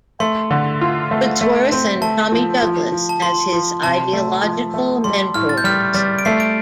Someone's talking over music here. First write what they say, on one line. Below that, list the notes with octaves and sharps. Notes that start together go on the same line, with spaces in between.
Woodsworth and Tommy Douglas as his ideological mentors.
A3 C6
D3
F4
A3
A3
C4
A3 A5
F3
F3
F3
A5
F3 C6
F3
C3 A5
A3
F3
A3
G3 C6
A2 F6
A6
G6
G3 F6
G3 A6
D7
A3 C7
D7